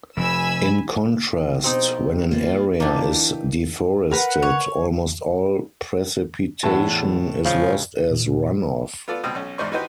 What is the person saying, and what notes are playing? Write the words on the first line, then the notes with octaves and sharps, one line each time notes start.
In contrast, when an area is deforested, almost all precipitation is lost as run-off.
F1 F2 G#5 B5 E6
F2 B2 C4 D#4 G4
A#3 F4 B4
E3 A#3 D4 D#4 G4
A#4 B4 F#5
C#5
E2 A2 E5 F#5 A5
C#3 F3 G#3
A#2
B3 F4 A4 D5
C#2 B2 C4 D#6
B1 C#4
E2 G#2 D#4 C5 D5 C#6
E3 D#4 F#4 G4 B4 C5